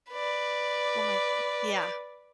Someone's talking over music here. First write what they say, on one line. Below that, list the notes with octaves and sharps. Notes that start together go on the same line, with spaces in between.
Oh, my g yeah.
B4 D5